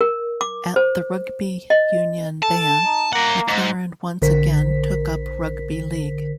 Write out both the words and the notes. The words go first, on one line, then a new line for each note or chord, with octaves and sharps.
At the rugby union ban, McLaren once again took up rugby league.
A#4
D6
C5
D#5
A4 A5
D#4
A#3 A#4 F#5
G#2
A#1 D3 A#4 C5 B6